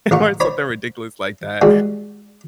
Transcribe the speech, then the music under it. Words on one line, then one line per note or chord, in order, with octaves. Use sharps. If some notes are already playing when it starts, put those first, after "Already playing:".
or something ridiculous like that,
A1 A#4 F5 C#6
C5 C#5 B5
E3 G3 G#3 F#4